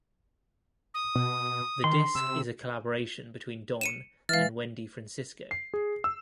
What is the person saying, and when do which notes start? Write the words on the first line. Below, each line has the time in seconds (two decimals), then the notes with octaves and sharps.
The disk is a collaboration between Don and Wendy Francisco.
0.94 D#6
1.15 B2
1.84 D#3 C6
2.15 C3 E6
3.81 C#7 D#7 E7
4.29 E3 G#3 B4 E5 F5 F6 A6
5.51 C7
5.74 G#4
6.04 E6